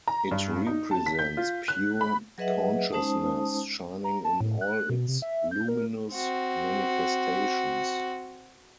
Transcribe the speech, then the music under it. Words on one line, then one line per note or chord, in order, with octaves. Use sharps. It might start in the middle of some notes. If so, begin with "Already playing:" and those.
It represents pure consciousness shining in all its luminous manifestations.
A#5
G2
D#4
A5
B6
G6
F4
F#6
B5
F#3 G#4 B4 D#5 E5 F#5
G#3 C#4 D#4 C5 A5 D#6
A#5
A5
A2
F#6
B2
C3
E5
G6
A#4
C4 F#4